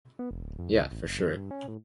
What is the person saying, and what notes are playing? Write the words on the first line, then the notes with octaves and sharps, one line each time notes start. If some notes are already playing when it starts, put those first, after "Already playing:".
Yeah, for sure.
B3
F1
D1
F2
C#2
A1
F#1
F2
G2
C#4
A2